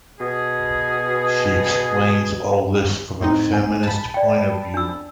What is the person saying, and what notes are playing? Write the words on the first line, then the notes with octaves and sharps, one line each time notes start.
She explains all this from a feminist point of view.
B2 G#4
A2 C4 D#4
G#5
A5 B5
D5 G5
D4 E6